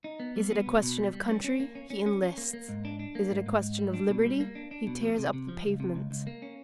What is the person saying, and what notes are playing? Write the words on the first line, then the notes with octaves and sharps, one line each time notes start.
Is it a question of country, he enlists; is it a question of liberty, he tears up the pavements.
D#4
B3
G3
B3
B2
B2
G3
G3
C#4
C#4
A#3
C#4
C#4
C#4
C#4
A#3
A#3
G#2
D4
D4
A#3
G#2
G#2
G#2
G3
D4
B2
G3
A#3
D4
D4
B2
F3
C3
C3
F3
C#2
C3
C#2
C#2
A#3
C#4